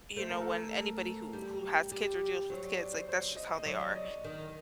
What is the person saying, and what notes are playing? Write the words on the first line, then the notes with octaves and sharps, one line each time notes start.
you know, when anybody who, who has kids or deals with kids, like that's just how they are,
A3 C5
A#4
A4
A#4
G3
G3
F#3 C5
D5
D5
C5
C5
D#5
D#5
F#3 D5
D#5
D#3